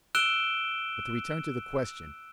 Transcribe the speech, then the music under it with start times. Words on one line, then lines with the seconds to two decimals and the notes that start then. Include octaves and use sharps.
But to return to the question.
0.15 E6 F#6 D7 E7 G7